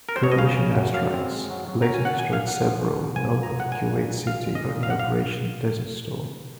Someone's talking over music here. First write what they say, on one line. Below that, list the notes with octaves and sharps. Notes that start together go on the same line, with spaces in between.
Coalition air strikes later destroyed several north of Kuwait City in Operation Desert Storm.
A#4
C5
C#5
D#5
C#3 F5
C#3
F#2
F#2 F5
C4
G#3
F#3
F#3
C#4 A#5
G#5
D#2 F#5
C#4 G#5
F5
F#3 F#5
F3
G#2
C4
G#2 G#5
F3
A#5
G#2
F#5
A#2 G#5
A#2
G#3
A#2 F5
G#3
D#5
A#2
F#2 F5
F#5
F5